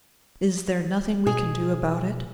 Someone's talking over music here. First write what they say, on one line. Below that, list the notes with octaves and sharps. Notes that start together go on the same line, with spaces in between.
"Is there nothing we can do about it?"
B2 G#4